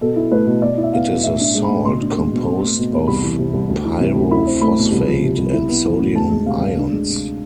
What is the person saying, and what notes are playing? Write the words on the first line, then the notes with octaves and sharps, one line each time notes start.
It is a salt composed of pyrophosphate and sodium ions.
B2 A4
E4
A3 B4
B2
B2 D5
E4
E5
B3 F5
B2
A2 E5
D4
E5
G#3
A2 B5
B2 C6
D4
G#3
B2
C4
A3
B2
E2
C2 B5
E3
C3
C2
D2
E3
C3
D2
E4 B5
C4
A3 B5
B2
C2
F3
C3
C2
E4
B3
E3
A2
D2 A5
G#3
C3 F5
D2
D4
G#3
C3